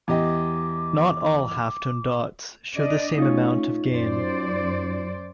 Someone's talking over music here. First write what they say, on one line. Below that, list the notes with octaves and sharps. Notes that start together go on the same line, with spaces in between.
Not all halftone dots show the same amount of gain.
E2 G4 D#5 D6
D4 D5 D#5
A3 C#4 D#4 F4 C#5
F#2 C5 D5